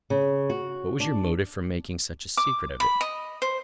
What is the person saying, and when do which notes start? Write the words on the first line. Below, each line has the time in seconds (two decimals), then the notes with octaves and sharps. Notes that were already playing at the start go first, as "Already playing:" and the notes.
What was your motive for making such a secret of it?
0.10 C#3
0.50 F#4
1.00 D4
2.37 D6
2.80 B5
3.01 D#5
3.42 C5